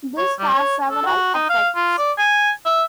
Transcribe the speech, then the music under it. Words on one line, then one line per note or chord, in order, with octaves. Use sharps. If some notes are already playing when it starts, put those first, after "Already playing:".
This has several effects.
C#5
G3
C#5
A4
F#4
D#4
F5
F4
D5
G#5
E5